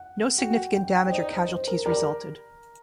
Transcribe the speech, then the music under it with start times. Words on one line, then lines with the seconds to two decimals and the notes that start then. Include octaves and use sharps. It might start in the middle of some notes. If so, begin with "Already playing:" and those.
No significant damage or casualties resulted.
Already playing: F#5
0.38 F#4 G5
0.75 G5
0.95 G5
1.08 C5
1.12 D#4 D5
1.31 C5
1.49 C5
1.67 A#4
1.86 G3 A#4